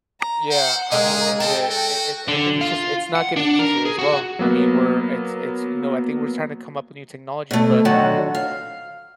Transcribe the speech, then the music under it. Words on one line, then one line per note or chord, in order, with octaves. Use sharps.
Yeah, I mean, is it it it and I think it's just it's not getting easier as well. I mean, we're it's it's, you know, I think we're just tryna come up with new technologies. But,
A#5
C5 F#5
G#3 A#3 D#4 G#4 A#4
C4 A4 G5 A5
F#4
D3
F4
F#5
D4
A#4
G#4
F#4
F#3 A#3 B3
B2 A3
D3 D#3 F#3 F#4
F5